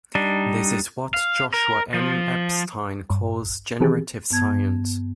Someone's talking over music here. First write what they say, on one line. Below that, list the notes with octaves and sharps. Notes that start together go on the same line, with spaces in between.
This is what Joshua M. Epstein calls generative science.
G3 D4 D#4
F5
A#4
F3
G2
D#3 E3 C4 G4 G#4
G2 B3 A5 G#6